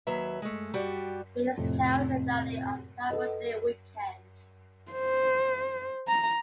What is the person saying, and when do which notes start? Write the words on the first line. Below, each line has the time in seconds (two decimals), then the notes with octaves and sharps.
It is held annually on Labor Day weekend.
0.07 D#2 F#3 B4 E5
0.42 G#3 A3
0.74 G3 F#4 G4 D5
1.57 F2 A2 C3
3.10 A4 B4 D#5
4.92 C5
6.08 A#5